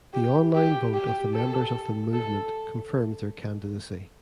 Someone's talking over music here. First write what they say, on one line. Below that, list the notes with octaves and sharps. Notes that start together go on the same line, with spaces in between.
The online vote of the members of the Movement confirms their candidacy.
G4
G4
G4
A4
A4